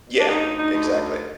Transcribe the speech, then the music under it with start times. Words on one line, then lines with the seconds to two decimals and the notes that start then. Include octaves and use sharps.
Yeah. Exactly.
0.20 D4
0.27 D2 D#4
0.59 D#4
0.75 D2